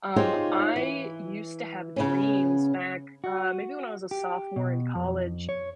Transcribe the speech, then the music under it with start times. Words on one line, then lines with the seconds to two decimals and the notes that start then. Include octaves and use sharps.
Um, I used to have dreams back, uh, maybe when I was a sophomore in college
0.16 D#4 F4 G4 G#4 C5 C#5
0.76 E3
1.96 C#3 B3 C#4
3.24 F#4
4.11 G4
4.56 B2
4.95 F2
5.49 C#5